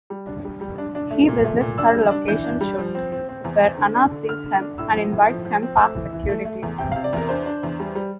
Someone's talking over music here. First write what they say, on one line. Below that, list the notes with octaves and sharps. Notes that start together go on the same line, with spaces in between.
He visits her location shoot, where Anna sees him and invites him past security.
G3
D4
G3
G3
D4
D4
A3
A#2
A3
A#2
D4 E6
G3
D4
E3 G6
D4
G3
F3
C4
C4
C4
E2
C4
D3
D4
D3
D3 F6
D3
D4
A2 E6
F3
A2
F3
F3
C4
A3 E6
E3
E3
A3
A3
E2
C3 G5
F5
C3
D5
E2 A#4
D4 C5
D4
E2
G3
G3